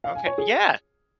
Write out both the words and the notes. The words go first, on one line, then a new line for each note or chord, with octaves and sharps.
Okay, yeah.
F5
G#5
C#5
G#4